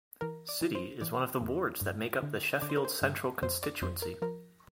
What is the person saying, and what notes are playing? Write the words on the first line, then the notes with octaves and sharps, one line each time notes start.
City is one of the wards that make up the Sheffield Central constituency.
E3 A#4
D5
E3
C5
E3 D5
E2
G2
D3
D3 D5
C5
A#4
C5
G2
F2 C5
D5
F2 C5
A#4
F3 A#4